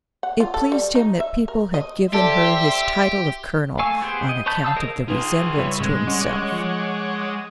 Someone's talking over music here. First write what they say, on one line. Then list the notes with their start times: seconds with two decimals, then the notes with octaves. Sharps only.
It pleased him that people had given her his title of Colonel on account of the resemblance to himself.
0.23 F#5
0.40 F4
0.54 A4
0.72 G3
0.95 D#4
1.20 E5
1.48 A#4
1.74 D#5
2.13 D4 G4 A4 C5 E5
3.79 A3 F5 G#5 C#6 E6
4.01 B3 G4 G#4 C5 G5
4.29 D#5
4.46 C5 C#5 A5 B5 G6
4.64 F5 G#5 A5 D#6 E6
4.76 G#4 A#4 C5 C#5 D#5
5.08 D#4 F4 G#4 B4 C6
5.58 C#3 G3 B4 C#5 E5
5.80 G#2 C3 G#3
6.07 G3 C#4 C#5 D#5 F#5 D6
6.49 F3 D#5 C#7